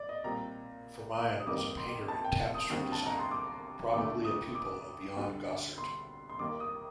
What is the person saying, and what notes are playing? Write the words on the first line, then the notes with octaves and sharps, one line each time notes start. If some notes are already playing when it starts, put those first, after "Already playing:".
Vermeyen was a painter and tapestry designer, probably a pupil of Jan Gossaert.
Already playing: D5
D#5
A#2 G3 C4 A#5
D#6
F2 D#3 G3 A#3 D6
C6
A5
G5
D#6
D#2 D3 G3 C4
A5
A#5
C6
D6
D#2 D3 A3 D6
D#6
D6
D2 D3 G3
C6
C6
D#2 D#3 A#3 D6
D#6